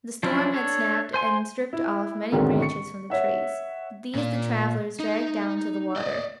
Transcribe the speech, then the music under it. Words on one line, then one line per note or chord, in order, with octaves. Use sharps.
The storm had snapped and stripped off many branches from the trees. These the travellers dragged down to the water.
F3 F#3 C#4 D4 E4
D4 A4 C#5
C5 G#5 C6
E4
C2 G#2 B2 D3 D#3 F#3
C#6 C#7
C#5 E5 F#5
A#2 D5
D#4
D5 D#5